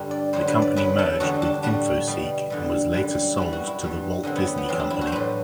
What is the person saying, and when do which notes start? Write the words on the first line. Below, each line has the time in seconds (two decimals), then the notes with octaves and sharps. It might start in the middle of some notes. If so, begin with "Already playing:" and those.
The company merged with Infoseek and was later sold to The Walt Disney Company.
Already playing: G2 D3 G3
0.11 D5
0.33 G2 D3 F#3 C5
0.47 B4
0.62 D5
0.76 F#2 F#3 B4
0.98 A4
1.20 E2 D3 G3 F#4
1.42 D4
1.63 A2 G3 F#4
2.07 B2 G3
2.50 E2 D3 G3
2.94 F#2 D3 G3
3.38 F#2 E3 G3 E4
3.53 F#4
3.67 E4
3.81 G2 E3 G3
4.23 F#2 D3 F#3 C4
4.36 B3
4.47 B3
4.58 B3
4.68 E2 C3 F#3 C4
4.80 D4
4.90 E4
5.01 F#4
5.07 C5
5.12 A2 F#3 B4